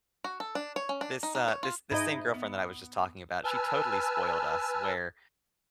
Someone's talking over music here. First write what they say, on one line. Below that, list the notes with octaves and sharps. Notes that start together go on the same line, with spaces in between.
This, uh this this same girlfriend that I was just talking about, she totally spoiled us where,
F#4
A4
D4
C#5
C#4
D4
D#4
D#4
C#5
F4
G#2 D#4 E4 D#5
B3
B4 G#5 A5 E6 F6